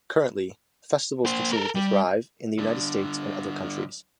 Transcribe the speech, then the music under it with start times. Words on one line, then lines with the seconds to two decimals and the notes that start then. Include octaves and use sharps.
Currently, festivals continue to thrive in the United States and other countries.
1.26 A#3 C5
1.53 A4 A#4
1.75 G3
2.58 G2 D3